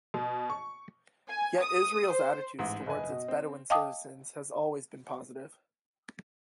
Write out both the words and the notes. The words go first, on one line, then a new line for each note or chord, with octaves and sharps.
Yet Israel's attitude towards its Bedouin citizens has always been positive.
B2
C#6
G#5
D#6
C5
A1 G#2
F#1 B4 D#5 G#5
B2
C4
D#5 F5 G5 A5 D6 D#6